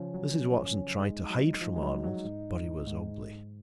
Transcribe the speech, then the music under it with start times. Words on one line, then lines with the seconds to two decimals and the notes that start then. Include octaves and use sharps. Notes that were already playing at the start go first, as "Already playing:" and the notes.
Mrs. Watson tried to hide from Arnold, but he was ugly.
Already playing: C#3 F3 C#4
0.14 F#3
0.98 G#3 D#4
1.30 F#3
1.61 F3
1.76 G#3
1.82 F#3
2.04 F#3
2.24 G#2
2.88 G#2